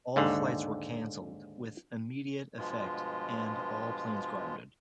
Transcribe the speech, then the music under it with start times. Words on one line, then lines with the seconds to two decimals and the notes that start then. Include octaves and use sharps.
All flights were cancelled with immediate effect and all planes grounded.
0.16 D#2 G#2 D3
2.58 G2 B2 F3 G#3 F4